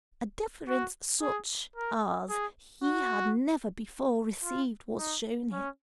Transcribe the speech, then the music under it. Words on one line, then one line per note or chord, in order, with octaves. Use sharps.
A deference such as he had never before received was shown him.
F#4
G#4
A#4
G#4
F#4
F4
D#4
C#4